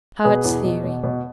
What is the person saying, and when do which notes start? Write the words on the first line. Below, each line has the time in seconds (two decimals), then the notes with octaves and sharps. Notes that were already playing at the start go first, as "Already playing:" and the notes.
Hart's Theory.
0.25 B2 G#4 B4
0.44 E2
0.64 B2
0.84 B2
1.04 B2